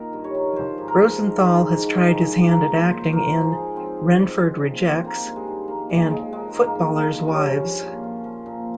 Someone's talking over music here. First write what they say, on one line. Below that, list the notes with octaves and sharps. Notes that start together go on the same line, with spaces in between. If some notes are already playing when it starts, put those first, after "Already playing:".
Rosenthal has tried his hand at acting in "Renford Rejects" and "Footballers' Wives".
Already playing: A#2 D#3 A#4
G2
C#5
D#3
F3 C5
G#2
A#4
F3
D#3
G#2
D#3
F3
G#2
F3
F3 A#4
A#2
C5
F3
C5
F3 A#4
G#2
G#4
F3
F3 C4
G#2
F3
F3
A#2
F3
C4
D#3 A#3
G2
G#3
D#3
F3 A#3
A#2 G#3
F3 G#3
D#3 G#3
G#2
A#3
D#3
F3 A#3
G2
C#4
F3
F3
A#2
F3
F3
A#2